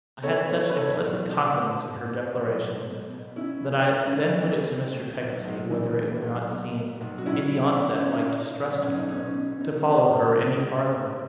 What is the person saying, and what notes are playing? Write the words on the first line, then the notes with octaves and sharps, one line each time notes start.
I had such implicit confidence in her declaration, that I then put it to Mr. Peggotty, whether it would not seem, in the onset, like distrusting her, to follow her any farther.
B2 A4 C#5
B2 A4 C#5
B4
B1 A4 C#5
B1
B2
B2
B2
B2
B1
B1
B2
B2
B2 C#4 E4
B2
C#2
C#4
C#2 D#4
B2
B2
A2
B1
B1
E3
A2
B1
B2
B2
B1
F#4
B1 C#4 E4
B2
B2
C#4
B2 D#4
B2
B1
B1 C#4
D#4
B2 C#4
B2
C#4
B2 D#4
B2
C#2
C#2
B2
B2